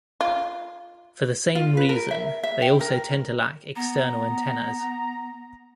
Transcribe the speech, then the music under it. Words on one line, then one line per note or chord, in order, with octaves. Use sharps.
For the same reason, they also tend to lack external antennas.
F4
F4
B4
A#4
E5
E5
G5
A#4
B3 A#5